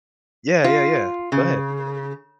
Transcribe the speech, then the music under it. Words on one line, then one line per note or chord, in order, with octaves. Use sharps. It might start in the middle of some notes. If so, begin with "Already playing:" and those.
Yeah, yeah, yeah. Go ahead.
F4
C#3